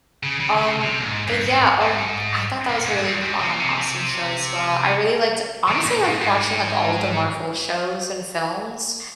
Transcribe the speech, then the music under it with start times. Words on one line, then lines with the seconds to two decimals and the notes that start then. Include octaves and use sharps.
um, but yeah, um, I thought that was a really, um, awesome show as well, I really liked honestly liked watching, like, all of the Marvel shows and films,
0.23 C#3
0.40 C#3
0.58 C#3
0.81 C3
1.00 A#2
1.05 G#2
1.28 G2
1.46 G#2
1.81 G#2
2.69 A#2
2.87 G#2
3.04 G2
3.22 G#2
3.40 C3
3.50 A#2
3.60 C3
5.69 D#3
5.86 A#2
6.04 G#2
6.21 G#2